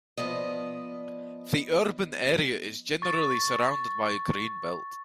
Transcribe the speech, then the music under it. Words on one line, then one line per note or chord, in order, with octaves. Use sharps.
The urban area is generally surrounded by a green belt.
F3 B3 D5 D#5
C#6 A6